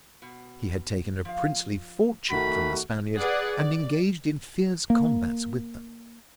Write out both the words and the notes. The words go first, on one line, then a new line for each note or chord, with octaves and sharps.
He had taken a princely fortune from the Spaniards and engaged in fierce combats with them.
B2
F3 F5
C3 D#3 A3 F#4 B5
G#4 B4 D5 F#5
D5
A#3